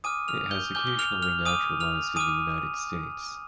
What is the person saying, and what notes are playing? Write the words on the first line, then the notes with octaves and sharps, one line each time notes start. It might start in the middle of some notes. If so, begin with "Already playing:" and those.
It has occasionally naturalized in the United States.
G#5 D6 D#6 F6 D#7
F6 F7
G6 G7
G#5 D6 F6 G6 G7
G7
F6 F7
F6 F7
G#5 D6 D#6 F6 D#7
F6 F7
G#5 D6 D#6 F6 D#7